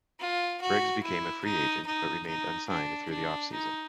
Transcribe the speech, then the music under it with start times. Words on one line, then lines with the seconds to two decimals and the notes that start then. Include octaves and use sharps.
Briggs became a free agent but remained unsigned through the offseason.
0.20 F4
0.61 F#4
1.03 E4
1.44 D#4
1.86 D#4
2.27 D#4
2.69 D4
3.10 D4
3.52 D#4